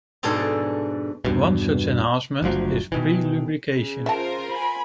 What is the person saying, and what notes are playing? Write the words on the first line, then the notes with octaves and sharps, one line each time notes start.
One such enhancement is pre-lubrication.
F2 G#2 B2 D4 G#4 A4
E2 G2 B2
F#1 D2 F3 F#3
B2 D#3 E3
C#3
F4 A#4 C5 E5 A5
G#5 B5